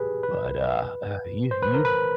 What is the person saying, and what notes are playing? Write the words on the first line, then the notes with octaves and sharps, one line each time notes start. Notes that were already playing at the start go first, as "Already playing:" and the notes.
but, uh, uh, you you
Already playing: G4 G#4 B4
B4
C5
B4
A#4
B4